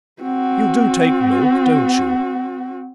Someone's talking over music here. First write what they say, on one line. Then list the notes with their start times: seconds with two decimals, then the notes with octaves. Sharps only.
You do take milk, don't you?
0.22 C4 F#4